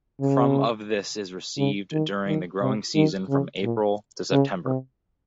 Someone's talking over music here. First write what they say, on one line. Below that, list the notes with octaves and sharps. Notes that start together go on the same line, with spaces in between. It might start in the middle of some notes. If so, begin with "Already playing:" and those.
From of this is received during the growing season from April to September.
C#3
C#3
D#3
D#3
C3
D#3
C#3
A#2
C#3
C3